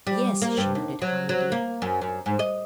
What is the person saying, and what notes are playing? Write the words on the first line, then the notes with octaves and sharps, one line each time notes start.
"Yes," she nodded hurriedly.
G3
A#3
G2
D#2
F#3
F#3
A#3
F#2
F#2
G#2
D#5